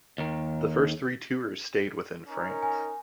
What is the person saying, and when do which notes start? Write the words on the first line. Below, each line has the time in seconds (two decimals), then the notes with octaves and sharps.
The first three Tours stayed within France.
0.18 D#2 D#3
2.28 C#4 D#4 A#4
2.63 G#5